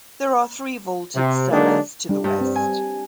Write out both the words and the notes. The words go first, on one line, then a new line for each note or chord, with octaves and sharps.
There are three vaulted cellars to the west.
C3
D3 F#3 G#3 A#3 D4 D#4
G3 D4
G2
C4 B4
G#5